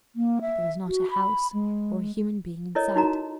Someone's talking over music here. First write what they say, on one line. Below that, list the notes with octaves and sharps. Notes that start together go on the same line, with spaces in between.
There was not a house or a human being in sight.
A#3
E5
F#4
B5
G#3
E4 A4 A#4 C#5 D#5
D#4 E4 F#4 A#4 A#5